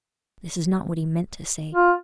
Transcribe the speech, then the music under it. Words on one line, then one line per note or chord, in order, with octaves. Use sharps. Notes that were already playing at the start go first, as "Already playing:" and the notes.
This is not what he meant to say.
F4